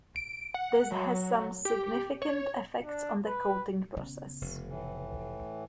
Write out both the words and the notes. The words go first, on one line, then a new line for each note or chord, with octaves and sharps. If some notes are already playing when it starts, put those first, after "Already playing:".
This has some significant effects on the coating process.
D7
F#5
F#3
G4
C#5
D4
B4
C#3 B3
F1
A2 E3